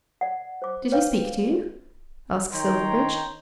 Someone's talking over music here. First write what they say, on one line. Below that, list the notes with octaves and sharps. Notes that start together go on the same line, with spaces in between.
"Did he speak to you?" asked Silverbridge.
D5 F#5
C5 D6
B4 C#5 F5 G5
D#3 D#4 C#5 G5 A#5 C6